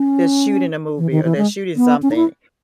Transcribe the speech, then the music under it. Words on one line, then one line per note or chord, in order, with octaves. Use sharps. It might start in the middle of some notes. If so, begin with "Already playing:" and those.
they're shooting a movie or they're shooting something.
Already playing: C#4
E3
D#3
E3
G#3
B3
C#4
D#4
E4